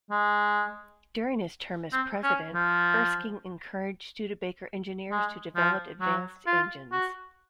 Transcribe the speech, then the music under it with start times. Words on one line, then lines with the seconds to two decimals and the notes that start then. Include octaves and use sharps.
During his term as president, Erskine encouraged Studebaker engineers to develop advanced engines.
0.11 G#3
1.93 C4
2.23 C#4
2.54 F3
5.11 G#3
5.56 F3
6.01 F#3
6.47 F4
6.92 F#4